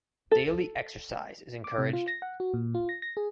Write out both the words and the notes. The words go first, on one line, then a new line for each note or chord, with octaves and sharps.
Daily exercise is encouraged.
A4
D6
C3
F4
A#6
F#5
F#4
A#2
F4
A#6
A#6
G#4